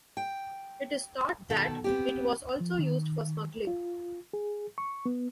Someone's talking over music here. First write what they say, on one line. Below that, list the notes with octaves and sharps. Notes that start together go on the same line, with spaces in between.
It is thought that it was also used for smuggling.
G5
B2 D#3 A4
B3 C4 G4
F3
D#3
F4
G#4
C#6
B3